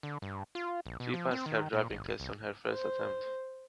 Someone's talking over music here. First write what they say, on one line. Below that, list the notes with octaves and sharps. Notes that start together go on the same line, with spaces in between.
She passed her driving test on her first attempt.
D3
G2
F4
A#1
B2
F3
C4
D#3
A#2
A1
D#1
C2
C5